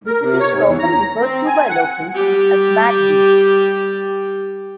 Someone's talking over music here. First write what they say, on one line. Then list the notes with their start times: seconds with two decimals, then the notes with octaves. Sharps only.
The city is often referred to by locals as Mad Beach.
0.06 A#4
0.22 C3
0.40 C#5
0.52 G#2
0.65 E2
0.79 A#5
1.21 C4
1.46 G#5
1.69 F#5
2.14 G3 G4